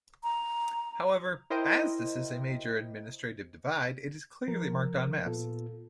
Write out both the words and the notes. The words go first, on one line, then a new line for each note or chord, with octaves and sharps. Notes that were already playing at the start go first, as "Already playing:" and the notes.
However, as this is a major administrative divide it is clearly marked on maps.
A#5
E4 A#4 C5 D#5 G5
F3 A#4
A#2 B3 F4 A4